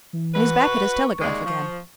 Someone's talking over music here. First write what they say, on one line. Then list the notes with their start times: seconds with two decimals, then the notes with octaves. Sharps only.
And he's back at his telegraph again.
0.13 E3
0.33 F#4 B4
0.64 C#6
1.20 D#2 G#3 D5
1.44 F3